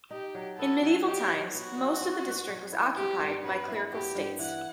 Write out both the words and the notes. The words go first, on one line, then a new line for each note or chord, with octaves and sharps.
In medieval times most of the district was occupied by clerical states.
D#4 G4
F#3
B3 A4
F#3
D#4 G4
F#3
B3 F#4
F#3
C4
G2
F#3
E4
C4 G4
G2
F#3 B4
E4
B3 G4
G2
E3 F#5